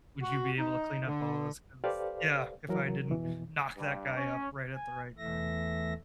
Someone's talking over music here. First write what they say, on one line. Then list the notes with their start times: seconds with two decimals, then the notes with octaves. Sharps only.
"Would you be able to clean up all those kills?" Yeah, if I didn't knock that guy up, right at the right time?
0.23 F#4
0.58 D#4
1.06 D3
1.84 G4 A4 B4 C5 D5 F5
2.69 E3 F#3 A#4
3.10 F2 B2 E3
3.76 G2
4.16 C#4
4.74 G#5
5.18 E2 E3 A3 E5 A#6